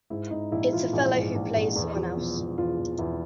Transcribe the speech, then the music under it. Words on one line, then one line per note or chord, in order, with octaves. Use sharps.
It's a fellow who plays someone else.
G#2 E4
G#2 D#4
A#1 E4
E3 F4
A#1
G#2
A#1
A#1
E2
F3
E1
E2
E2 F4
E2
E2 E4